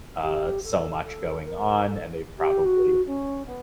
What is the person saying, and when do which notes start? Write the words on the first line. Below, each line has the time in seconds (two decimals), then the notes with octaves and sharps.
uh, so much going on, and they've probably
0.23 G4
0.63 A4
1.04 A4
1.44 A#4
1.85 A4
2.38 G4
2.64 F#4
3.06 C#4
3.46 B3